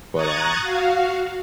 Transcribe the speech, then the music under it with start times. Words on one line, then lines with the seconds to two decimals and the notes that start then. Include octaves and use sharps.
but, um
0.14 A#5 C#6 D#6 F#6 G#6 A6
0.61 F#4 F5